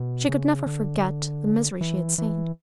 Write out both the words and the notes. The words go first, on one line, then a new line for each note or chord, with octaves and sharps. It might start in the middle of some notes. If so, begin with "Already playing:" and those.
She could never forget the misery she had seen.
Already playing: B2
C#3
D3
E3
E3